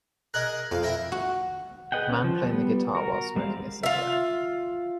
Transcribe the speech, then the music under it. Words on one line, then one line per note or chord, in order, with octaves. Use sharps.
A man playing the guitar while smoking a cigarette.
D#4 G#4 A#4 F#6
F2 F5
E4 A#4 G5
F#4
G#4 B4 D#5 F#5 G5
C#4
F3
G3 B3
F#4 A#4
G3 G#3 C4 F5
F4 E5